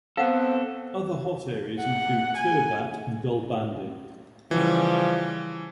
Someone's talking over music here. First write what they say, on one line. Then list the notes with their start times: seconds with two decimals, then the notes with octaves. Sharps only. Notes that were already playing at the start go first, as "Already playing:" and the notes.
Other hot areas include Turbat and Dalbandin.
0.17 B3 C4 A4 F5 F#5
1.81 F#5
2.37 G#5
4.51 C#3 E3 F3 G3